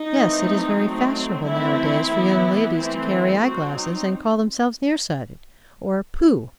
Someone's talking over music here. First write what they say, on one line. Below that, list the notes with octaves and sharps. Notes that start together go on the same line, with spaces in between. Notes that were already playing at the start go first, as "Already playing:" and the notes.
Yes, it is very fashionable now-a-days for young ladies to carry eye-glasses, and call themselves near-sighted!" Or, "Pooh!
Already playing: D#4
E3 A3 C4
F#3 A3 C4
E3 A3 C4 E4
E3 B3
E3 A3 C4
F#3 C4 F#4
D#4